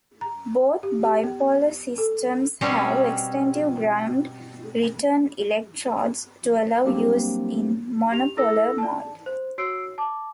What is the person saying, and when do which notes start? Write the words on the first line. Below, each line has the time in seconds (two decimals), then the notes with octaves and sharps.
Both bipolar systems have extensive ground return electrodes to allow use in monopolar mode.
0.21 A#5
0.83 G4
1.04 G4
1.24 B3
1.98 A4
2.61 B2 G3 C4 C#4
6.85 F#3 G3 A#3 C4 D4 G4
8.12 G4 F7
8.37 E4 A4 E6 A#6
8.78 D5 A5
9.26 C5
9.58 F#4 C#5 E6 C7 D7
9.98 A5 D6